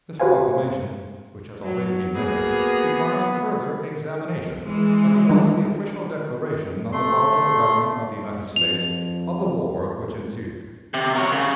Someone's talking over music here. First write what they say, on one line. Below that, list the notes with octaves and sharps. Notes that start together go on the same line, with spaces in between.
This proclamation, which has already been mentioned, requires a further examination, as it was the official declaration, on the part of the Government of the United States, of the war which ensued.
F#4 G4 B4 C5 F5 G#5
F#3
A#3 B3 F#4 G#4
E3 G#3
D#3 G3 D4
A3 C6
F2 F7
C3
A#4 C#5
C#3